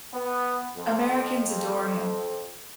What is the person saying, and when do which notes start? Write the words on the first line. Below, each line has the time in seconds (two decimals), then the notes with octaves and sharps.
Americans adore him.
0.13 B3
0.77 F2